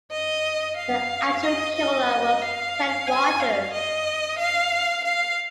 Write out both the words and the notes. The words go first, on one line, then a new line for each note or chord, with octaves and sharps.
The actual killer was Ted Rogers.
D#5
F5
D#5
D#5
F5
G#5
F5
D#5
F5
F5